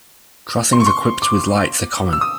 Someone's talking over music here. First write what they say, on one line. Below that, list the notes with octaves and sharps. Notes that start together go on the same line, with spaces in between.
Crossings equipped with lights are common.
C6
C#6
C6
D6
E6
D#6